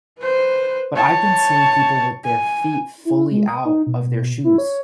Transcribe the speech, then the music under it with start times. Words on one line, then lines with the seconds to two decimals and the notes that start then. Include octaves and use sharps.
but I've been seeing people with their feet fully out of their shoes.
0.19 B4 C5
0.96 C#5 A5
2.24 G#5
3.05 E4
3.31 G#3
3.48 D#6
3.65 D#4
3.87 B2
4.44 E4
4.58 C#5